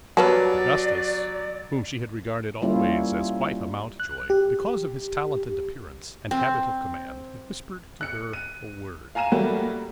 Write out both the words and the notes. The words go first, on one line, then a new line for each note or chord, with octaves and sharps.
Augustus, whom she had regarded always as quite a Mountjoy, because of his talent, and appearance, and habit of command, had whispered to her a word.
F#3 G3 B3 D5 A5
G3 A#3 C#4 E4 F4
F#6
G4
C4
F#6 C#7
D#7
F5 G#5 A#5 D#7 E7
F#3 G3 A3 A#3 F#4